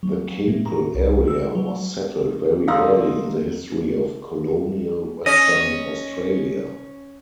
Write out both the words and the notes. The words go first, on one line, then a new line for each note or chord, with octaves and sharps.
The Capel area was settled very early in the history of colonial Western Australia.
F#3
A2
A#5
C2
E6
F#3
D3 D4 D#4 D#5 F5 A#5 C6 E6
C#4 D#5